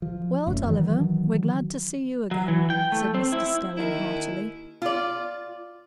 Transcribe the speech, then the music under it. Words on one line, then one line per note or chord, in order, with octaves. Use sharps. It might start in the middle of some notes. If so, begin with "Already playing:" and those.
"Well, Tulliver, we're glad to see you again," said Mr. Stelling, heartily.
F3
F1 F#2 A3
D#3 E3 F#3
F#3
E3
G5
A3
C4
E4
D#2 D#3 E4
F4 D5